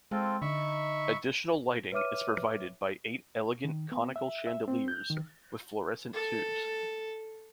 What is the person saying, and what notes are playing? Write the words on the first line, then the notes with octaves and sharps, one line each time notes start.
Additional lighting is provided by eight elegant conical chandeliers with fluorescent tubes.
G#3 C4 F4 A4
D3 D#4 E5 B5 C#6
B4 C#5 E5 D6 F6 D#7
D#3
B3
E5
E5
C4
G6
D#3
A4